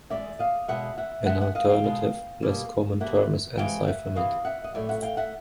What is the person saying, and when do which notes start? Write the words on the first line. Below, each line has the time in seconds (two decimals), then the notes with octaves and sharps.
An alternative, less common term is "encipherment".
0.10 E2 B2 G#3 D5 E5
0.39 D#5 F5
0.68 E2 B2 G#3 E5 F#5
0.98 E5 F#5
1.26 B2 G#3 E5 F#5
1.41 E5 F#5
1.55 D#5 F5
1.69 F5 G5
1.84 B2 G#3
2.42 B2 G3 A#3
3.00 B2 G3 A#3 E5 F#5
3.58 E2 C3 E3 G#3 F5 G5
3.88 E5 F#5
4.16 E2 C3 E3 D#5 F5
4.45 E5 F#5
4.64 D#5
4.74 A2 F#3 A3 D5 E5
4.89 E5 F#5
5.03 F5 G5
5.17 E5 F#5